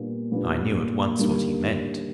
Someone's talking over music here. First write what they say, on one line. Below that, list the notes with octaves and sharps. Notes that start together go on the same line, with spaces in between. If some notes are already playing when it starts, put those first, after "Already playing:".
I knew at once what he meant.
Already playing: A#2 G3 B3 D4
A#2 G3 B3 D4
G1 G2 D#3 G3 A#3